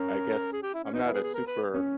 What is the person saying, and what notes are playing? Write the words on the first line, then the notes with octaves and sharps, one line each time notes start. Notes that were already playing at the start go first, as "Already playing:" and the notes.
I guess, I'm not a super,
Already playing: C#4 A#4
G#4
G4
E4
C#4
B3 D#4
E4
G#4
G#4
A#4
B4
C#4